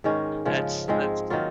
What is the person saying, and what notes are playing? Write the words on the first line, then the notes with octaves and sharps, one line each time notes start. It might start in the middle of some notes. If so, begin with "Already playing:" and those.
That's that's,
G#2 D#3 G#3 C#4
C#3 F3 G#3
G#2 F3 G#3 C4
D#3 F#3 A#3 F4